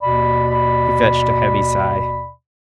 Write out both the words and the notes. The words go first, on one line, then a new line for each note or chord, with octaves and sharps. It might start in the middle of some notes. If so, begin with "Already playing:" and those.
He fetched a heavy sigh.
D#2 B2 D5 B5